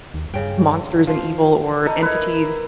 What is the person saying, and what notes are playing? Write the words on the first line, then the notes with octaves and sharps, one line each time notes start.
m monsters and evil or entities,
D#2
G2 C#3 G5
F3 F4 C5
D#4 A4 D#5
E4 A#4 B4